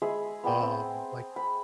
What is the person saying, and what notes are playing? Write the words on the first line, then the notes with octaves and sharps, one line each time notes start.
um, like,
G#3 G#4 E5 B5
B3 G#4 G5 A#5
C4
B5